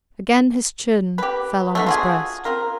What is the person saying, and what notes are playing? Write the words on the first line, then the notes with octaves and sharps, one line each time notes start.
Again his chin fell on his breast.
G4 B4
A3 B3 D#4
F4 F#4 G#4
C4 F4 A#4